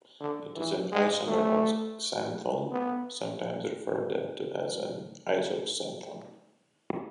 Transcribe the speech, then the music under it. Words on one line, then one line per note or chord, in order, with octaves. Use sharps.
It is an isomer of xanthone, sometimes referred to as an isoxanthone.
D3
E3
G#3
A3
B3